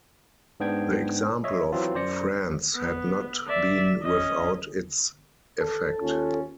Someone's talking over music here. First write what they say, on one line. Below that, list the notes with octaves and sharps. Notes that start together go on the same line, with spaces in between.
The example of France had not been without its effect.
G#2 B3 D4 G5 G#6
C#5 D#5 E5
E3 F#3 C4 F4
F#2 C5 D5 A#6 C#7
B3
D5 E5
C#4 D#5
A4
D#2 C#4 F4